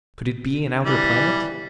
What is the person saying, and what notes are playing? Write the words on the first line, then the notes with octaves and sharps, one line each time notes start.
Could it be an outer planet?
E3 G3